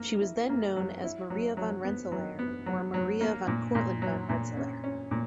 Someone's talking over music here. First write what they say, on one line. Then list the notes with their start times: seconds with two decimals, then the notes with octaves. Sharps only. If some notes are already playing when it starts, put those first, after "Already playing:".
She was then known as Maria van Rensselaer or Maria van Cortland van Rensselaer.
Already playing: A#3
0.22 E4
0.49 A#3
0.76 F#3
1.04 E4
1.30 F#3
1.57 F#3
1.84 B3
2.12 F#3
2.39 B3
2.66 F#3
2.94 F#3
3.21 A#3
3.48 A#2
3.75 A#2
4.02 F#3
4.29 A#2
4.57 C#4
4.84 C#4
5.11 A#2